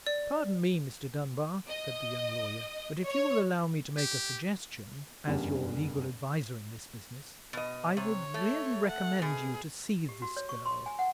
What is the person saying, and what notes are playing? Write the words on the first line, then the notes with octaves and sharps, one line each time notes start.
"Pardon me, Mr. Dunbar," said the young lawyer; "but if you will allow me to make a suggestion, as your legal adviser in this business, I would really recommend you to see this girl."
D5
D#5
C#5
G4
F#1 E2 G2 G3 C#4 F#5
B2 D#5
C3 C#5
A3
F#5
B2 G#4
G4
F#4
C#5
C#6
C6
G#5
F#5